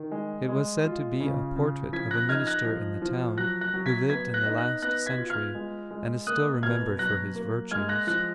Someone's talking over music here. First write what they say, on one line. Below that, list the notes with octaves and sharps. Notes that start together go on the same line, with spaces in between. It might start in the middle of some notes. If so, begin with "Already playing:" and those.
It was said to be a portrait of a minister in the town, who lived in the last century, and is still remembered for his virtues.
Already playing: D#3
G#3
G#3
F4
C#3
C#3
F3 G#6 B6
F#6 A#6
D#4 F6 G#6
F#6 A#6
F3
F3
F#3 F#6 A#6
F#6 A#6
F#3
G#6 B6
B3 G#6 B6
F#6 A#6
D#4
F#6 A#6
B3 F#6 A#6
G#6 B6
F4
F6 G#6
G#3
G#3
A#3 D#6 F#6
B2 F6 G#6
F#3 F#6 A#6
A#3
G#3 F6 G#6
F#6 A#6
F3 F#6 A#6